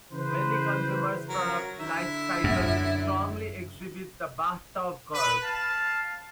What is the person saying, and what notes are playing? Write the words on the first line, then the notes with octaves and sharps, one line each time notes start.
Many consumer product life cycles strongly exhibit the bathtub curve.
C#3 E3 B4 C5
F#3 A#4
D3 E4 E5
F#2
B4
F5 A5